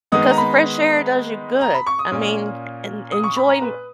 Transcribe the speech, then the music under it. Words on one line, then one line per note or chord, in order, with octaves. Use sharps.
Because the fresh air does you good, I mean, en enjoyme
D#3 G#3 B3 D#4 D#6
A#5
B5
A#5
B5
C#6
D#6
A#2 A#3 C#4
D#6
C#6
B5
A#5
B4